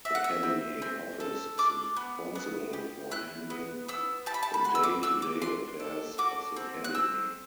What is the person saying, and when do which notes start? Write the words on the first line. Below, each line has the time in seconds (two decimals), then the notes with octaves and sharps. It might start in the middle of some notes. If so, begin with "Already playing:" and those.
The Cabinet Office is responsible for handling the day-to-day affairs of the Cabinet.
0.05 F#4 E5
0.15 F#5
0.24 E5
0.43 C4
0.82 C4
1.20 A4
1.58 D4 D6
1.96 B3
2.35 B3
2.73 G4
3.11 E4 F#6
3.50 B3
3.88 B3 E6
4.26 G4 A5
4.34 B5
4.43 A5
4.54 B5
4.64 F#4 C6
4.75 E6
4.84 D6
5.03 D4 E6
5.22 D6
5.41 D4 C6
5.80 A4
6.18 F#4 D6
6.56 C4
6.84 F#6
6.94 C4 E6